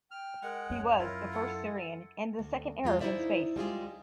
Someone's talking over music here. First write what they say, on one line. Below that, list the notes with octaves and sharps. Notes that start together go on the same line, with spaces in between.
He was the first Syrian and the second Arab in space.
G5 F6
G#3 A#4 F#5
F#2 C#5
E4 F4 A#4
A4 F#5
D2
F2 G#3 F4
D#4 E4 G#4 C5 D5 E5
G3 G#3 F4 G#4